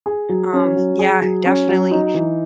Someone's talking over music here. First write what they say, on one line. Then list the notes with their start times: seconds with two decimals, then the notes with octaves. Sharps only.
Um, yeah, definitely.
0.06 G#4
0.29 F#3
0.53 C#4
0.76 F#3
0.99 G#4
1.22 F#3
1.46 C#4
1.69 F#3
1.91 D#4
2.14 E3